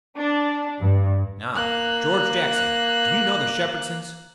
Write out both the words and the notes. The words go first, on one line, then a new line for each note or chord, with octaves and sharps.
"Now, George Jackson, do you know the Shepherdsons?"
D4
G2
A#3 F#6